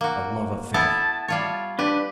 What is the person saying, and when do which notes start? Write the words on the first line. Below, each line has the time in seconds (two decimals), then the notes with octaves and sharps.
A love affair!
0.01 A#3 F#4
0.74 B3 E4 A4 A5
1.28 G3 F4 C#5
1.79 D4 G4 B4